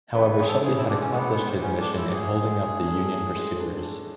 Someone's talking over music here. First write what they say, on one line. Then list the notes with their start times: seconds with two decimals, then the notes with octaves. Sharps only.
However, Shelby had accomplished his mission in holding up the Union pursuers.
0.15 A1 B4
0.31 B4
0.39 G#2 G#4
0.47 A4
0.64 E3 G#4
0.76 E4
0.89 G#3 D4
1.01 C#4
1.13 A1 B3
1.39 G#2
1.63 E3 C#4
1.79 D4
1.87 G#3
1.96 E4
2.12 A2 G#4
2.36 G#3
2.61 D4
2.86 A4
3.10 A2
3.36 G#3
3.60 D4
3.85 A4